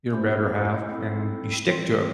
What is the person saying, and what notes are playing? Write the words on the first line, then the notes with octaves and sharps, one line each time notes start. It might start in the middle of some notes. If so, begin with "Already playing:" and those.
your better half, and you stick to it.
A3 C#4 E4 G4 C5
C4 E4 A4
E3 G3 C4 F4